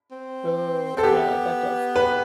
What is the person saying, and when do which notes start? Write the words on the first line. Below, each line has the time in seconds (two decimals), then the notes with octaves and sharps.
Ooh, yeah, that does
0.11 C4
0.97 C4 A4
1.03 B3 G4
1.96 B4